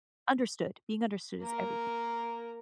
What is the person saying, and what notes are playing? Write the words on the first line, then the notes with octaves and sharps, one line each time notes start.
understood, being understood is everything.
A#3 A#4